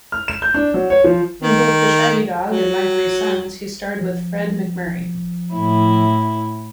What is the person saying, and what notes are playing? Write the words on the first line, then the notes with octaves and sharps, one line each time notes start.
In both "The Shaggy Dog" and "My Three Sons", he starred with Fred MacMurray.
F6
E7
G6
D4
F#3
C#5
F3
D#3
F#3
F3
A2 E4